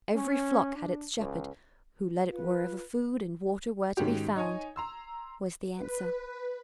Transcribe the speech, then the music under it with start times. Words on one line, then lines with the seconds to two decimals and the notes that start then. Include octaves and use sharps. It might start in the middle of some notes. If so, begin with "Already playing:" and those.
"Every flock had its shepherd, who led it wherever food and water were to be found," was the answer.
0.13 C#4
0.75 D4
1.17 C#2
2.31 F4 B4
3.97 G#2 D#3 C#4 F#4 G4
4.36 D#4 C#5 G#5
4.76 A#5 C6 E6
5.76 B4